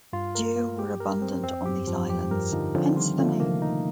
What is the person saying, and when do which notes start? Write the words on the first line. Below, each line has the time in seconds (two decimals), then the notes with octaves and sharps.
Deer were abundant on these islands, hence the name.
0.13 G2 F4
0.35 A#4
0.56 A#3
0.79 G4
1.00 A#4
1.22 C4
1.43 F2 C4
1.66 G2 G4
1.82 F2
1.87 G2 F3
2.09 F2 G4
2.31 G2 A#4
2.52 D3 F3 D#4
2.75 D3 F3 C4
2.96 D#3 G3 F4
3.18 D3 F3 A3
3.40 C3 D#3 A#3
3.62 D#4